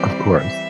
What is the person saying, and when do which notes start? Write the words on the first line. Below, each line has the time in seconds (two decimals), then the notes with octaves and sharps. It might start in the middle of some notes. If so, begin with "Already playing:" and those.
Of course.
Already playing: E3 G3 C4 D5
0.38 E5